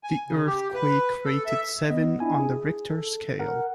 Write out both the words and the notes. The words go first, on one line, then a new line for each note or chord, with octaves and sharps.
The earthquake rated seven on the Richter scale.
G#5
C#3
G4
B4
A4
E5
B3 D#5
D4 E4 G#5
G#4
A4
A#4 F#5